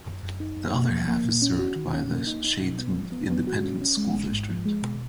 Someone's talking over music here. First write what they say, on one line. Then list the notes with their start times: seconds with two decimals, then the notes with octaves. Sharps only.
The other half is served by the Sharyland Independent School District.
0.06 F#2
0.23 F#2
0.40 D#4
0.57 F#2
0.74 A#3
0.91 F3
1.08 A#3
1.25 A#2
1.42 C#4
1.59 F#4
1.76 D#3
1.93 C#4
2.11 A#3
2.27 D#4
2.44 D#4
2.61 B2
2.79 B3
2.96 F3
3.12 B3
3.30 B3
3.47 F#4
3.63 C#4
3.81 C#4
3.97 G#3
4.15 G#1
4.32 G#2
4.49 F3
4.65 G#3
4.82 B2